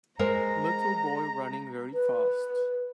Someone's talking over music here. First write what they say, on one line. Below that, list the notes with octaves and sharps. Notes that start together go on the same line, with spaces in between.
Little boy running very fast.
G#3 A#4 C5 A#5
B4